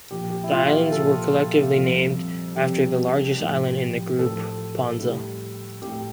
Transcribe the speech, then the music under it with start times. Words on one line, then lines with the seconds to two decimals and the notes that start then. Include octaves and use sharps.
The islands were collectively named after the largest island in the group, Ponza.
0.10 A#2 F3 G4
0.30 G4
0.44 E4
0.52 F4
0.71 G4
0.92 A#2 F3 A4
1.74 F2 C3 G3
2.55 F2 C3 G3 G4
3.37 A2 F3
4.19 A2 F3 A4
5.00 A2 G3
5.82 A2 G3 G4